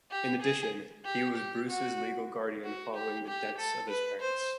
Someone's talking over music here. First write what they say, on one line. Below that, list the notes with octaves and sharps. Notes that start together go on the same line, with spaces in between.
In addition, he was Bruce's legal guardian following the deaths of his parents.
G4
G#4
G4
G4
F#4
F#4
G4
G4
A4
B4
C5